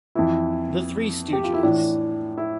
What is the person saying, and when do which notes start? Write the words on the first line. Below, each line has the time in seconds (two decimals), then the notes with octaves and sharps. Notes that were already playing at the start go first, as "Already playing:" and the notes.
The Three Stooges.
0.15 F2 E3 E4
1.33 G4
1.44 F4
1.54 E4
1.63 A2 E3 D4
2.38 E4